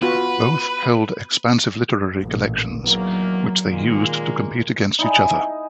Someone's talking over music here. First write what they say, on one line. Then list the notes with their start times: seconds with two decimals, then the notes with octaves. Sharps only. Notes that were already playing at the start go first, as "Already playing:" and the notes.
Both held expansive literary collections, which they used to compete against each other.
0.02 B3 F4 F#4 B4
2.20 A1 A#2
2.85 E2 D#3 F#3 A#3
3.70 A#2 D#3 G#3 A#3
4.99 D#4 E4 G#4